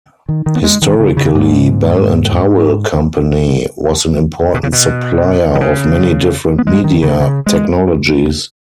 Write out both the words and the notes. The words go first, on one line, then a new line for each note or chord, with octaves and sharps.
Historically, Bell and Howell Company was an important supplier of many different media technologies.
D#3
D#3
B3
G#3
D#3
C#3
C#3
G#2
B2
C#3
B2
D#3
C#3
B3
G#3
D#3
C#3
C#3
G#3